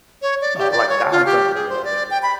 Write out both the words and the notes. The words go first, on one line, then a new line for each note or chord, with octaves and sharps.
uh like dying from it or whatever.
C#5
D5
G4
D5
C#5
F4
G4
G#4
C5
D5
G5
B5